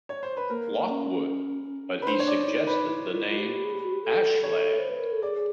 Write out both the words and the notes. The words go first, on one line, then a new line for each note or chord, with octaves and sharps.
Lockwood, but he suggested the name "Ashland".
C#5
C5
B4
A#3 A#4
C#4
B4
D4 C5
C#5
D5
D#4
B4
E4
F4
E4
F4
G4
G#4
G4
F#4
G4
A4
A4 C#5
C5
B4
A#4
A4
G#4 D5